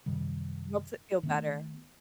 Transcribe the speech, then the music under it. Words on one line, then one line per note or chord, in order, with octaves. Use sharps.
helps it feel better.
F#2 C3 D#3 G3
D#3 A3 B3